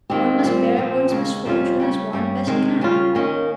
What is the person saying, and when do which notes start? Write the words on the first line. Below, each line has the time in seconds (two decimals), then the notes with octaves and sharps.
One must bear one's misfortune as one best can.
0.10 D#2 D#3 G#3 C4 G4
0.43 A#2 G3 C4
0.76 A#2 F3 C4
1.10 D#2 C#3 G#3
1.45 F2 C3 G3 C#4 F4
1.80 C#3 G3 C#4
2.13 G2 G3 C#4
2.47 C3 D#3 G#3
2.81 C#3 G3 C#4 F4
3.15 D#3 A#3 C#4